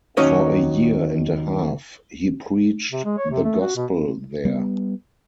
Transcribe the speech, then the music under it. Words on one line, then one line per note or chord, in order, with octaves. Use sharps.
For a year and a half he preached the Gospel there.
D#2 F#3 C#4 D#4 C#5 D#5
C3
G#3
C#5
C3
A3
F#4
B2
G3 B3